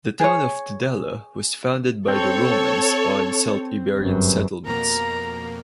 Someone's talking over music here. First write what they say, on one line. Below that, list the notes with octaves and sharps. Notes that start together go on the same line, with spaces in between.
The town of Tudela was founded by the Romans on Celt-Iberian settlements.
G#4 C#5
C4 A4 C#5
G1 F#2
F2 B2 A#3 A#4 A#5